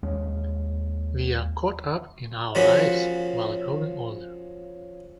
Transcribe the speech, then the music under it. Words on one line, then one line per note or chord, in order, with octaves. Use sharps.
We are caught up in our lives while growing older.
D#2 G#3 C#4
C#3 F3 A#3 C#4 F#4 B5